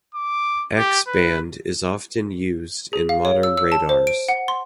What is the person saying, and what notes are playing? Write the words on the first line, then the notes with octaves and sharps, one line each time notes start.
X band is often used in modern radars.
D6
G4
B4
G#4
F5
C#5
E6
E6
A5
C5
D7
F#5
C6